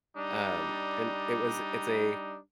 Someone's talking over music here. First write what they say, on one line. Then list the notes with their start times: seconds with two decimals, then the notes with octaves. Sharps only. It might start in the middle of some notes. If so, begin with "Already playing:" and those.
Um, and it was it's a
0.17 G3 D4 D#4